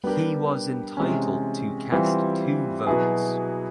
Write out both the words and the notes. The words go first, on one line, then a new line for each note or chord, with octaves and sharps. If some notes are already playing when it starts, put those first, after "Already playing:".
He was entitled to cast two votes.
G3 B3 D4 G4 A#4
C3 E3 G#3 C#4
E3 G3 C4 F4
B2 F#3 B3 E4 G#4